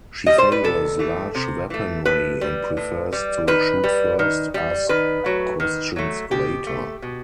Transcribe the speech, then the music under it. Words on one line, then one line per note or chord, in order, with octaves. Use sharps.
She favors large weaponry and prefers to "shoot first, ask questions later".
G3 D#5
C5
B4
C3 A4
E3 A3
C3
E3 A3
A2 B4
G3
A2
G3
D#3 B4
G3
D#3
G3
D#3 B4
F#3 A3
D#3
F#3 A3
B2 G4
A3
B2